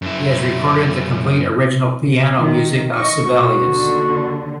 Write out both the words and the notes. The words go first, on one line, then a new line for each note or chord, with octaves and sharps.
He has recorded the complete original piano music of Sibelius.
F#2 E4
D#3
D#5 C#6
B2 F#4
D#2 D3